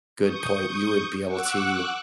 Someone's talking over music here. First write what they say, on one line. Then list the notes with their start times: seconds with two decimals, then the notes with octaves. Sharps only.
good point, you would be able to
0.19 C#6 D#6 G6
1.26 F#5 C#6 D6 E6 F#6